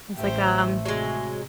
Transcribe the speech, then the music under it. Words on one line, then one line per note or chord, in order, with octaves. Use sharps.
I was like, um,
A1 A3 G4 C5
C3 F#3 G#3